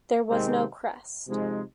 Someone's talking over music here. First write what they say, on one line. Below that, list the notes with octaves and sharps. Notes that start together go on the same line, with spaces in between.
There was no crest.
C3 D#3 G#3 C4
C3 F3 G#3 D#4